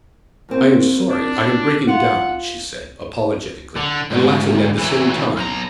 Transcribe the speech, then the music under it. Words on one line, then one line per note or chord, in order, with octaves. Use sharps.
"I am sorry I am breaking down," she said apologetically, and laughing at the same time.
F#2 A#3 C4
D4
F4 F#5
D3
D2 G#2
E3 F#3
B1 A#5